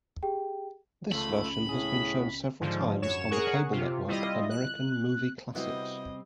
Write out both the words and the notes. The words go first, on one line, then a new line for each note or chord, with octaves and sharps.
This version has been shown several times on the cable network American Movie Classics.
G4 G#4 G5
C#2 A3 F4 A4 B5
A2 G#4
G#2 D3 F3
F#2 C#5 E7
G#4 A#4 F#5 C#6
C3 F4
G3 E4 F4 D#5
F#6
C3 G3 B3 C4 E4 F#4 D#5